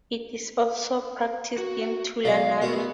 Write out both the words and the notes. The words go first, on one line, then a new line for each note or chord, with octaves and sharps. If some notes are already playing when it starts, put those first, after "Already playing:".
It is also practised in Tulunadu.
F#4
B1 D5 F5 A#5
A3 B3 F#4 A#4